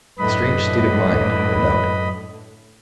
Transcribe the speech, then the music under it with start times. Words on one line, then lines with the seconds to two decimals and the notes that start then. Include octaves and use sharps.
A strange state of mind, no doubt.
0.19 F#2 A2 D3 B4 D#5 B5